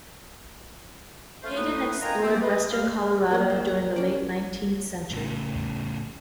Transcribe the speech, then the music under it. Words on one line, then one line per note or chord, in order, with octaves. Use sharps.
Hayden explored western Colorado during the late nineteenth century.
A3 D4 F4 C5
F#3 A3 D#4 E4 F#4 D#6
F4 A#4 D#5 G5 G#5 A#5
D#2 A#3 C4
B4 D#5
G3 G#3 F5
A#3 C4 D#5
C5
A#5
C#4 D5
A2 C#3